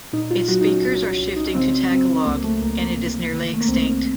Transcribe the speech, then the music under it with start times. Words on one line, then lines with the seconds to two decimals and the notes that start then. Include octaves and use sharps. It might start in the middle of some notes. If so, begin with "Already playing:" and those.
Its speakers are shifting to Tagalog, and it is nearly extinct.
0.13 A#2 D#4
0.31 F4
0.48 F#3 F#4
0.61 D#4
0.66 C#4
0.84 C2
1.19 C2
1.37 D#4
1.46 C#4
1.55 C#3 C4
1.91 F#3 C4
2.26 C#2 A#3
2.44 A3
2.62 C#2 A#3
2.79 A#3
2.97 C3
3.33 D#3
3.54 A3
3.61 A#3
3.68 C2 C4